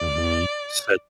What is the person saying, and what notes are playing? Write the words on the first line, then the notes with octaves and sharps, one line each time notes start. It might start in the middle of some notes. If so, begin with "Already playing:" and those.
Mhm. Said
Already playing: D5